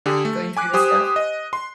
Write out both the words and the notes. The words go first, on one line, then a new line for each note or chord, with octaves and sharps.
going through this stuff?
D3 G4 G#4
A3
G#5 D6 F#6
G4 C5 G#5 D#6
D#5
C6